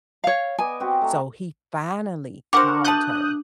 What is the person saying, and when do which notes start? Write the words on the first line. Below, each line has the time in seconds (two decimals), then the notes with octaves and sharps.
So he finally called her,
0.24 C#5 F5
0.58 B3 D#5 G#5 D6
0.80 C4 F#4 G4
1.02 A3 A#5
2.53 D4 G4 A#4 C5 F#5 C#6 D6
2.84 B2 A3 A5 D#6 F#6 G6